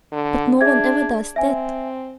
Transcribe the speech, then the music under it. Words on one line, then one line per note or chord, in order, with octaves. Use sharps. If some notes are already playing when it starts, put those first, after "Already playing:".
"But no one ever does that!"
D3
D4 G#4 E5 G#6
C4 E5 G#5